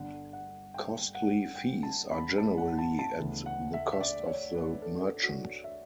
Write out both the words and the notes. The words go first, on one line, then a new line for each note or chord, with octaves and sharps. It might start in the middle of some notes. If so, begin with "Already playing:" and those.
Costly fees are generally at the cost of the merchant.
Already playing: G1 G2 D3 F#5
F#5
G5
F#5
G5
A5
B5
A5
F#5
A5
A5
D2 C#3 E3 B3
F#5
E5
E5
D5
C#5
B4
A4
F#4
E5